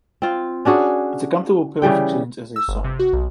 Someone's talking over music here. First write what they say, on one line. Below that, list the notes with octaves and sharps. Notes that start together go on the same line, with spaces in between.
It's a comfortable pair of jeans as a song.
C4 F4
C#4 D4 F#4 G#4
C#3 E3 G3 G5
E6
G1
C3
F#4
B1